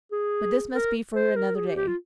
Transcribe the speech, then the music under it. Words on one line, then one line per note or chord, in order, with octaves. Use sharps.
But this must be for another day.
G#4
A#4
C5
A#4
G#4
G4
G4
F4